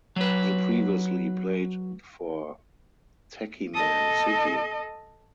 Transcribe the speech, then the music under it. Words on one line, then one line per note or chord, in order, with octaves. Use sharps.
He previously played for Techiman City.
F#3 B4
A4 D#5